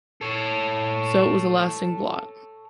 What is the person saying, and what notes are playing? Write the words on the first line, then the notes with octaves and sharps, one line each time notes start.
So it was a lasting blot.
A4 C#5